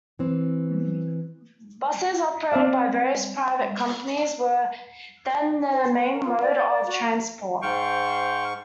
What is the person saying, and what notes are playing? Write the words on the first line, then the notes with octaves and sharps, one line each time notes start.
Buses operated by various private companies were then the main mode of transport.
E3 C4
C4 C5 D5 E5 F5
C5
B4
A#4
F4
D5
D5
F#4
G#2 C5 F5 G5 C#6